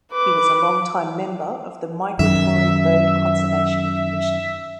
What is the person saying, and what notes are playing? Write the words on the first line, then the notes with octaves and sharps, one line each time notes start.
He was a longtime member of the Migratory Bird Conservation Commission.
B4 D6
F#2 D#3 E5